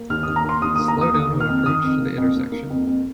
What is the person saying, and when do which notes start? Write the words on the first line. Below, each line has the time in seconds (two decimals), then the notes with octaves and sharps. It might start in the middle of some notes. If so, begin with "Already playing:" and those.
Slow down on approach to the intersection.
Already playing: A#3
0.10 D#2 F6
0.23 D#6
0.28 D#2
0.36 A#5
0.45 A#3 C6
0.62 D#2 D#6
0.76 D#6
0.79 A#3
0.88 A#5
0.97 D#2 D#6
1.13 A#3 D#6
1.31 D#3
1.40 F6
1.49 F2
1.66 D#3 D#6
1.83 F2
2.01 A#3
2.18 F2
2.35 A#3
2.52 A#3
2.70 F2
2.87 F2